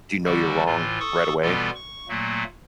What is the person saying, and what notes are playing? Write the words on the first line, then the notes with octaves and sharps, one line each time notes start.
do you know you're wrong right away?
D3 G3 F#4
A2 E3 F4
A4 C#6 D#6
B2 E3 G3 B3 F4 A4
C#6
A#2 F#3 A3 A#3